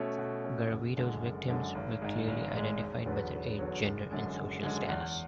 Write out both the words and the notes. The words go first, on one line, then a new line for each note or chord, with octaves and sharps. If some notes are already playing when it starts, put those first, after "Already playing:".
Garavito's victims were clearly identified by their age, gender and social status.
Already playing: B2 A3 C#4
B2
A3 C#4
F#1
F#2 D3 G#3
F#1
F#2 D3 G#3
G#1
G#2 G#3
G#1
G#2 G#3
E1
E2 D3 F#3 B3
E1
E2 D3 F#3 B3
F#1
F#2 D3 G#3
F#1
F#2 D3 G#3
E2